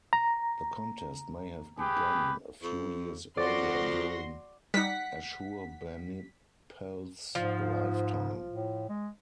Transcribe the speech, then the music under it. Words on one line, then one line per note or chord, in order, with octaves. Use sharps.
The contest may have begun a few years earlier during Ashurbanipal's lifetime.
A#5
G4 G#4 B4
F2
F2 F#4 D5 C6 A#6
G3 D#4 F#5 B6
G#2 F3
A2
G#3